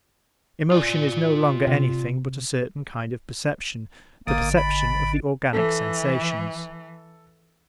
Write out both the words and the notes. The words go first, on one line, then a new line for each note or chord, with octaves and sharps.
Emotion is no longer anything but a certain kind of perception, the perception of the organic sensations.
F4 D5
C3
G#1 D3 A#3 D#6
B5
E3 A4